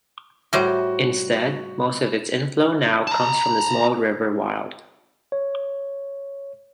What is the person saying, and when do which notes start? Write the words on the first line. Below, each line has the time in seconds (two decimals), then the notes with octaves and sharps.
Instead, most of its inflow now comes from the small river Wild.
0.53 A2 G3 F#4 C5
3.07 A5 A#5
5.32 C#5